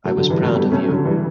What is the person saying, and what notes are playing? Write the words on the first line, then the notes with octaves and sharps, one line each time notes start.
I was proud of you.
F#3 A3
D3 F#3
E3 G3
F#3 A3
G3 B3
A3 C#4
D3 F#3
E3 G3